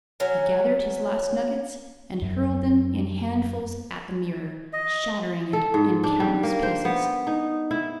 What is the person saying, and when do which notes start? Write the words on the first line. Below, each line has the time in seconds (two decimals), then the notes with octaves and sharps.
He gathered his last nuggets and hurled them in handfuls at the mirror, shattering it in countless pieces.
0.20 F#3 C#4 G#5
2.22 F#2
4.73 D#5
5.53 A4
5.74 G#2
6.03 D4
6.20 G3
6.43 A#3
6.63 C5
6.85 B3
7.27 D#4
7.71 E4